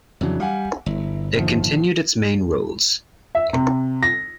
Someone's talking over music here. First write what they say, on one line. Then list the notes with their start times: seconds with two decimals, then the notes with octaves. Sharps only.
It continued its main roles.
0.21 F2 C#3 E3 F#3 D4
0.40 G3 F5 F#5 G#5
0.86 G1 E4
1.35 A#1 D#3 F3
3.35 E5
3.53 C3
4.03 A#6